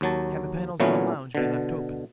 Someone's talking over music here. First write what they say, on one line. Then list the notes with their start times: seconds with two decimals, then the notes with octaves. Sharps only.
"Can the panels in the lounge be left open?"
0.01 D#2 F#3 A5
0.80 A#2 E3 F#3 A3 B3 C#4
1.35 B2 D3